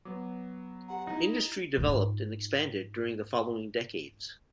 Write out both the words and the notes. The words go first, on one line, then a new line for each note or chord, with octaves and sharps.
Industry developed and expanded during the following decades.
F#3 B3 D6
G4 F#5 A#5
D#4 E4
G#2 F4